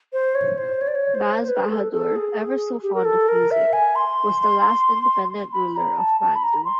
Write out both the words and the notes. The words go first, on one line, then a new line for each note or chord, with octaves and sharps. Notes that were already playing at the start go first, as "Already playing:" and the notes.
Baz Bahadur, ever so fond of music, was the last independent ruler of Mandu.
C5
C#5
C5
C#5
D5
C#5
C5
C5
B4
G#4
A4
A4
G#4
G4
A#4
A4
A#4
E5
G#5
C6
B5
A#5
A5
A5
B5
A#5
C6